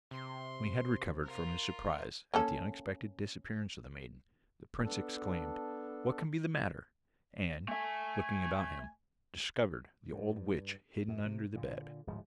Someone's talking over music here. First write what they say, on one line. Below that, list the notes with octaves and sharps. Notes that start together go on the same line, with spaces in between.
When he had recovered from his surprise at the unexpected disappearance of the maiden, the prince exclaimed, 'What can be the matter?' and, looking about him, discovered the old witch hidden under the bed.
C3 C6
F4 A#4
A#3 C#4 A4
B3 D4 A4
A3 E5 G#5
G2
F#2
C3
A#2 D3
D1 G#2 F3